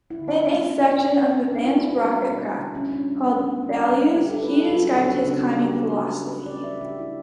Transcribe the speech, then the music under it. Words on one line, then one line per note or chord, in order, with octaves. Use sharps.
In a section of "Advanced Rockcraft" called "Values", he described his climbing philosophy.
E4
D3
D4
B2 C#4
B2
B2 C#4
A3
A3 D4
E4
A3 F#4
E4
G3
B2
D3
C#4
A3
D4
G3 C#4
B3
G3 C#4
C#4
G3 C#4
D4
G3 D4
E4
D3 G4
A4
A3 B4
A4
F#3 F#4
F#4
D3 D4
C#4
C#3 D4
F#4
G3
G4
F#3 B4
C#3
A3 B4
D5
A3
E5
C#3 G4
E4